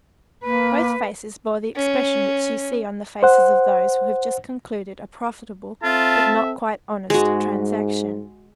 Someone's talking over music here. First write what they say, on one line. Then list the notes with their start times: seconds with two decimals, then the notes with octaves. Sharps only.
Both faces bore the expression which you see on the faces of those who have just concluded a profitable but not quite honest transaction.
0.44 A#3 B4
1.76 C#4
3.23 C5 F#5
5.83 C4 F4 A4 E5 A5
7.10 G#2 G#3 F#4